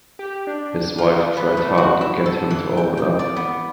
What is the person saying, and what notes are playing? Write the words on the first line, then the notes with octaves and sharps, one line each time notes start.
His wife tried hard to get him to open up.
G4
D4
F4
B4
A3
F#4
E4
A4
E3
G5
G5
D5
B3